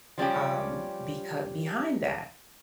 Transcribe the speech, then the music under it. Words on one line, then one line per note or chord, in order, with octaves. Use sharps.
um, becau behind that
F3 G3 C#4 G4